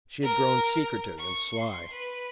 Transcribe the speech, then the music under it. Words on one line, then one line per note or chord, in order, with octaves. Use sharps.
She had grown secretive and sly.
A#4
C#6
C6
B4